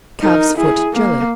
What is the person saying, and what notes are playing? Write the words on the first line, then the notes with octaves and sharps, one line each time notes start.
Calf's Foot Jelly.
D#4 A#4
E4 G#4
A#3